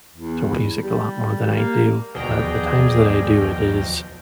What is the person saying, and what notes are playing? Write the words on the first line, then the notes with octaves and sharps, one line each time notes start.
to music a lot more than I do, but the times that I do it is
E2
G3
A#3
D#2 B2 F3 G#4 D5 G5 A#5